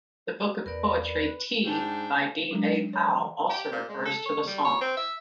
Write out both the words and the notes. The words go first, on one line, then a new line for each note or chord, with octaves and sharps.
The book of poetry "Tea" by D. A. Powell also refers to the song.
E2 A#4 B4 D5
G#2 D4 G5
F#3 G#3 D4
C#5
E3
G4
A#2
G#3
A4
C#5
G3
C#5
C4
E5